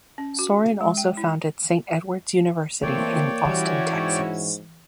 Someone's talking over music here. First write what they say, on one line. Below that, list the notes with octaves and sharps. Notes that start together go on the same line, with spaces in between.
Sorin also founded Saint Edward's University in Austin, Texas.
C#4
F#4
G#3
G5
E4
G2 E3 A3 A#3 C4 C#5 D5 G5
E3 G3 C#4 E4 F#4
G#2